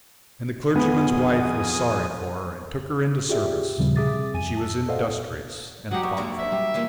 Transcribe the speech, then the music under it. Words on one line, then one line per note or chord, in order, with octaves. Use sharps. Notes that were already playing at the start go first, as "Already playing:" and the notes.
And the clergyman's wife was sorry for her and took her into service; and she was industrious and thoughtful.
F2 B3 G#4 D#6
F4 G4 G#4 D5 E5
D#2 A#2 C#3 F3 G3 C4
C3 G#4 E5 D6 D#6 A6
F2 G#5 D#7
A5 E6
A4 C5 D5 D#5 F5 F#5
F#3 D#4 G4 F#5
F2 C#6
D3 G#3 A#3
E5
G3
E3 F3 A#3